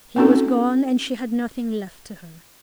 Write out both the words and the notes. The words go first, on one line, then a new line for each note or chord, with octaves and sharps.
He was gone, and she had nothing left to her.
C4 C#4 D#4 F#4 A4